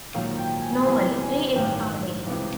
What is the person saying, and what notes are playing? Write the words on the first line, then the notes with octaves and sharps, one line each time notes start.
Normally, three eggs are laid.
A#1 G#2 D#3 F#3 F5
G5
G#5
E2 C3 E3 G3 G#5
G#5
A1 G2 D#3 F#3 G5
C#2 C3 E3